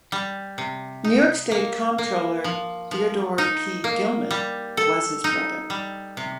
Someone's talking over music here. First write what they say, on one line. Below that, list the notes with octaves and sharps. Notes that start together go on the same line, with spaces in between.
New York State Comptroller Theodore P. Gilman was his brother.
G3
C3
D#4
A#3
A#3
F3
F3
D#4
A#3
G3
A4
D#4
G3
C3